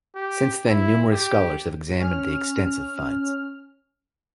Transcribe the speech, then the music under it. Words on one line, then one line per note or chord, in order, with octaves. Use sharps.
Since then numerous scholars have examined the extensive finds.
G4
E4
G4
C#4 F6